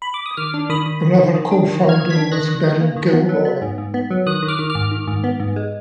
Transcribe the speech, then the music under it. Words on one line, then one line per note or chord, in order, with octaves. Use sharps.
Another cofounder was Beryl Gilroy.
B5
D6
D#6
D#3 D6 F6
D4
D#3 B5 D#6
D#3
D#3
D#3
D#3
D4
D#3
A#3
F6 G#6
D#3
G#6 B6
D4
D#3 F#6 A#6
D#3
D#3
A#3
D#3
B3
F#3
B3
G#2
G#2
B3
F#3
D#3 D#6 F#6
D#3
D6 F6
D#3
D6 F6
G#2
D#3
G#2
B3
G#2
G#3